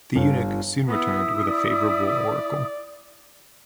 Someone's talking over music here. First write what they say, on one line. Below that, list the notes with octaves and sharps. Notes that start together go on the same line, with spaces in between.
The eunuch soon returned with a favorable oracle.
G1
B3 E4 D#6
D5